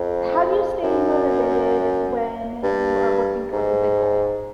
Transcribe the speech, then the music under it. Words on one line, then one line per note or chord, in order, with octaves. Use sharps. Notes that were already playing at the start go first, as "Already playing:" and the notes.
How do you stay motivated when you are working towards a big goal?
Already playing: F2
F#2
G2
G#2